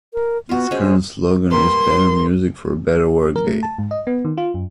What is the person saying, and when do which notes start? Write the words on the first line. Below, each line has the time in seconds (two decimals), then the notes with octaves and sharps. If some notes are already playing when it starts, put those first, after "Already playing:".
Its current slogan is Better Music For a Better Workday.
0.14 A#4
0.49 B3 F4 F#4
0.71 G#3 C#4 C5
1.51 G3 A#3 B4 C6
3.36 A#4
3.47 A3
3.63 A5
3.78 G#2
3.91 D#5
4.07 B3
4.25 D#3
4.37 F4
4.54 F#2